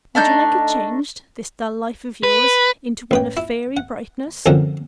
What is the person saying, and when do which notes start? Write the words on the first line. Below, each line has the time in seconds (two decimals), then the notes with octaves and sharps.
"Would you like it changed--this dull life of yours--into one of fairy brightness?"
0.15 A3 D4 D#4 G6
2.23 B4
3.11 A1 B4 G5
3.37 E4
3.77 F#5
4.46 C2 F#2 D3 F3 D#4 F#5